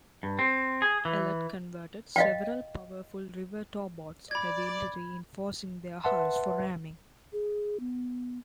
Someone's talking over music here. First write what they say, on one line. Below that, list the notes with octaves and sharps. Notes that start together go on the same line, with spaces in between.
Ellet converted several powerful river towboats, heavily reinforcing their hulls for ramming.
G2
C4
G#4
E3
D#5 F5 G5
D5 B5 G#6
B4 E5 F#5 A5 C6
G#4
B3